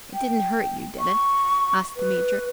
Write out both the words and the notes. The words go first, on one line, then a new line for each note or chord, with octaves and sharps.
"It didn't hurt you, did it?" asked the Major.
G5
C#6
B4